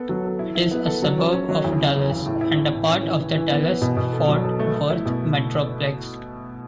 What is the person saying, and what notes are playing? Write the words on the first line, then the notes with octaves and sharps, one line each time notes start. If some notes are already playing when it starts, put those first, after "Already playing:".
It is a suburb of Dallas and a part of the Dallas-Fort Worth Metroplex.
Already playing: B3 A4
F#3
A4
E4
E4
B3
A4
F#3
C#4
C#4
F#3
E2
C#3
C#3
E2
A2
E4
E4
A2
C#4
E3
E3
E3
B3
B3
B2
B2
A4
F#3
A4
A3
A3
E4
B2